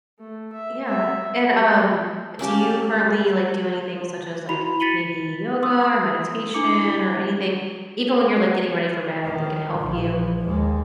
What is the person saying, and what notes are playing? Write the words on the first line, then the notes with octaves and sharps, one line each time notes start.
Yeah. And, um, do you currently, like, do anything such as, like, maybe yoga or meditation or anything even when you're, like, getting ready for bed that could help you
A3
E5
E5
G4
A#3 C#4 G4 A5
E4 F#4 B5 F7
A6 B6 C#7 D#7 F#7 G7
C6 D#6 E6
D4 E4 D6 C#7
D#3
A#1 F3
D#2 G#3